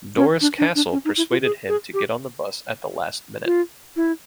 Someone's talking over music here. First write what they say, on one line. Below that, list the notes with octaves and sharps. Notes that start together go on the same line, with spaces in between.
Doris Castle persuaded him to get on the bus at the last minute.
C#4
D4
D4
D4
C#4
D#4
E4
F4
G#4
G#4
G4
F4
E4